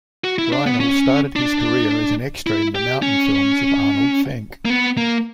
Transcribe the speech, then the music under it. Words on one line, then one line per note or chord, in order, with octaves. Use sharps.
Reinl started his career as an extra in the mountain films of Arnold Fanck.
F#4
E4
D4
B3
C#4
D4
E4
G4
C#4
A#3
B3
A#3